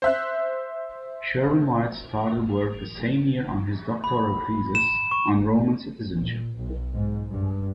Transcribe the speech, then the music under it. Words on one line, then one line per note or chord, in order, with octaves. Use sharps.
Sherwin-White started work the same year on his doctoral thesis, on Roman citizenship.
C5 E5 F#6
B5
E7
C#6
A#2
B1
G#2
G2